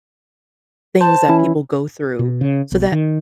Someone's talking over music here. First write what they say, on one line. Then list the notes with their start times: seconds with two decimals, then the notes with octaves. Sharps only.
things that people go through so that
1.01 C5 A5
1.28 E3 C#4 E4
2.19 B2
2.41 C#3
2.72 B1
2.92 D#3